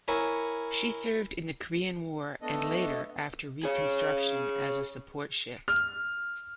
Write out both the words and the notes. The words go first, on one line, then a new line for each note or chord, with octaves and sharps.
She served in the Korean War and later, after reconstruction, as a support ship.
E4 A#4 C#5 G#5
A3 B3 D4 A4 D#5
G#4 C#5
F6